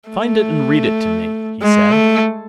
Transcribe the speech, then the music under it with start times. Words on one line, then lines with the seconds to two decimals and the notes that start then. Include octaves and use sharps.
"Find it and read it to me," he said.
0.10 A3
1.62 G#3
1.92 A3